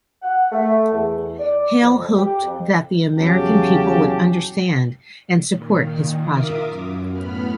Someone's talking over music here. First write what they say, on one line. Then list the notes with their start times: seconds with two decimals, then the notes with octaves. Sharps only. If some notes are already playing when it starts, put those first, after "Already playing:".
Hale hoped that the American people would understand and support his project.
0.22 F#5
0.52 A3
0.92 E2
1.39 D5
1.82 F2
2.15 G4
2.43 F2
3.16 E2 C#3 F#3 C#4 G4 A5
5.49 A#2 D#3
6.26 F4 A#4 E5 D6 D#6
6.65 F#2
7.11 A2 B3 B5 F6